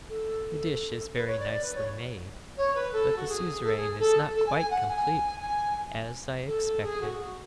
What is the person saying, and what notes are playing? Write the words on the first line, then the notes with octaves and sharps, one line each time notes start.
'The dish is very nicely made, but the Suzeraine is not quite complete--as I expected.'
A4
B4
C#5
D5
D5
B4
C#5
C#5
B4
A4
F#4
G#4
A4
G#4
A4
A4
G#5
G#5
F#5
G#5
G#5
A4
G#4
F#4
F#4